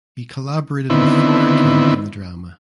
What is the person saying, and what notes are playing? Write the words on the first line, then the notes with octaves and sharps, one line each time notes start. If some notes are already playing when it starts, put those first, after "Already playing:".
He collaborated with Flora King in the drama.
D3 D#3 B3 C4 E4